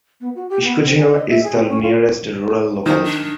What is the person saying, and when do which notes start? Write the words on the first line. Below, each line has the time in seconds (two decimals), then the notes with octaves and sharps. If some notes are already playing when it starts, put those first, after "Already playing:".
Ishkuzhino is the nearest rural locality.
0.21 B3
0.35 F#4
0.49 G4
0.64 B3
0.85 C4
0.98 G#4
1.12 D#5
1.30 E5
1.44 G#4
1.55 C4
1.69 C#4
1.83 F4
2.86 D#3 C5
3.04 D4